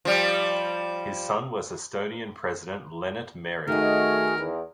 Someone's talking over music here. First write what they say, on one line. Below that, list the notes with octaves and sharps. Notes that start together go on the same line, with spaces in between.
His son was Estonian president Lennart Meri.
F3 G3
D#3 A3 F#4 G#4 A#4 D#5 G#5
E2